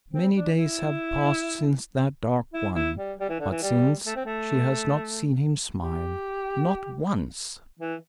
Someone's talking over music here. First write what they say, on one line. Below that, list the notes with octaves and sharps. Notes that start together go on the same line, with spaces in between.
Many days have passed since that dark one; but since, she has not seen him smile--not once!
C4
D4
E4
E4
E4
G3
G3
E3
D3
E3
G3
A3
C4
A3
G4
E3